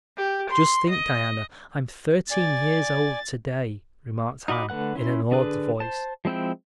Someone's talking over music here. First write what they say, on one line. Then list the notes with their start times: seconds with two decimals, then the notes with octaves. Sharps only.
"Just think, Diana, I'm thirteen years old today," remarked Anne in an awed voice.
0.17 G4
0.50 C6
0.90 D#5
2.31 D5 G#5 A6
4.48 D#4 F#4 D#5 B5 D6
4.69 D3 A3 B4 F#5 F#6
4.95 C#4 E4 C6
5.31 D3 D4 G#4 B4
5.80 C5 A5
6.25 F3 G#3 C4 E4 G5